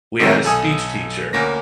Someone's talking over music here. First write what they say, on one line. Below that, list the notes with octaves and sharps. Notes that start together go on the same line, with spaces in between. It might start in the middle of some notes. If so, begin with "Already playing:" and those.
we had a speech teacher,
F#2 C3 D#3 G3 G#3 F#4
B1 A4 G#5 D#6
D2 A#3 C#4 A#6